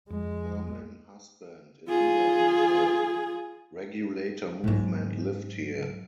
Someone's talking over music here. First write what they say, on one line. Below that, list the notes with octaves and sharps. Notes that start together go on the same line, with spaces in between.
Herman Husband, a leader in the Regulator Movement lived here.
F2 G#3
F4 G#4
G#2 F#3